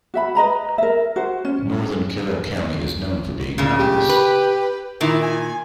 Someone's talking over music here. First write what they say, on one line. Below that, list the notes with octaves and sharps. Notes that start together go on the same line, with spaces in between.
Northern Carroll County is known for being mountainous.
F#4 E5 B5
B4 D#5 A#5 B5
A#4 E5
F#4 C5
C#4
A#2 C#3
G4
B4
A#2 D#3 E4
G#5